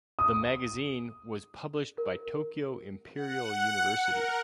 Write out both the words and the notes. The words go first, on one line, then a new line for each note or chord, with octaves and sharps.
The magazine was published by Tokyo Imperial University.
D#6
A#4
F#5
A#4